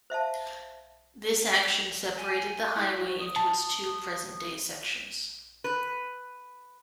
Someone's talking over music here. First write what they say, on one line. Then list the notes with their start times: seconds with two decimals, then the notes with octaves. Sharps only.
This action separated the highway into its two present-day sections.
0.10 C5 E5 F5 A5
2.17 G#5
2.76 E4
2.95 F#4
3.19 D#6
3.36 A5
5.64 B4